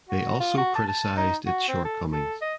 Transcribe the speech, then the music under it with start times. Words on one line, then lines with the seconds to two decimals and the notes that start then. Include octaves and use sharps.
They also criticised its shortcomings.
0.09 F#4
0.40 F4
0.58 F#4
0.76 A5
0.89 A5
1.17 D#4
1.47 F#4
1.69 C4
1.85 A4
2.13 A4
2.42 D#5